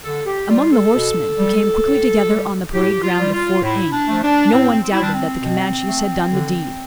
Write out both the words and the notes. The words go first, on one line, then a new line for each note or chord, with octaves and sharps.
Among the horsemen, who came quickly together on the parade ground of Port Inge, no one doubted that the Comanches had done the deed.
D3 A4
G4
G3 F4
A4
B2
G3
A2
G3
A2 G4
F4
G3
F4
A2 E4
D4
F3 A3
D4
A2 C4
C4
G3 E4
D4
C4
B2
A3
D3